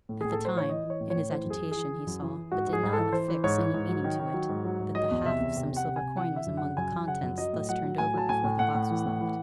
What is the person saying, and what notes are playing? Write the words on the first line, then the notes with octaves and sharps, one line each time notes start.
At the time, in his agitation, he saw, but did not affix any meaning to it, that the half of some silver coin was among the contents thus turned over before the box was locked.
A2
A2 G#4
A4
A2
C5
E3 C#5
E3 D#5
E3
C#5
A2
C#5
A2
E3 C5
F#2
G#4
E3
E3 G#4
E3
F#2
E3
E3
G#2 F#4
G#2
G#4
G#2
E3 A4
E3 C5
E3
G#2 C#5
E3
G#2
F#3
D#3
D#3
F#3
G#2
F#3
G#2
F#3 D#5
E2
C3 E5
E2
C3
C3
F#5
C3
G#5
C3
E3 F#5
E3 E5
F#2
F#5
C#3
F#2 G#5
F#2
C#3 F#5
F#2
F#3 D#5
A2
F#3 F#5
F#3
A2 G#5
F#3 A5
A2 G#5
A2
A2 F#5
A2
E3
A2
E3